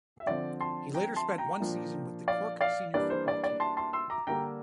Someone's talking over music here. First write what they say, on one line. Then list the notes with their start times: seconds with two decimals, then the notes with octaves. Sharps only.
He later spent one season with the Cork senior football team.
0.20 E5
0.27 D3 F3 C4 D5
0.60 A5 C6
0.94 G5 A#5
1.16 A5 C6
1.38 G5 A#5
1.60 A#2 F3 A#3 D4
2.28 D5 F5
2.61 D5 F5
2.94 E3 G3 A#3 D4 D5
3.10 C5
3.28 D5
3.44 D5
3.60 A5 C6
3.77 A5 C6
3.93 C6 E6
4.10 A#5 D6
4.27 D3 G3 A#3 D4 G5 A#5